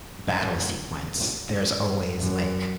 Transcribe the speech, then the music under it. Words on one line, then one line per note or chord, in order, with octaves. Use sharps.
battle sequence, there's always, like,
F#2